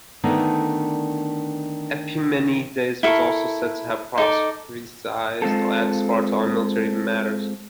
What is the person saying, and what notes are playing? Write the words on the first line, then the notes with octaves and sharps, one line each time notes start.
Epimenides was also said to have prophesied at Sparta on military matters.
D3 D#3 A3 B3 D4
E4 A4 A#4 C#6
D#4 A4 D5
G#3 C4 F4 A4